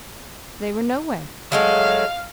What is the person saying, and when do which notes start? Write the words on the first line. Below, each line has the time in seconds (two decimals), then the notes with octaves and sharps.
They were nowhere.
1.52 F#3 G#3 A3 F5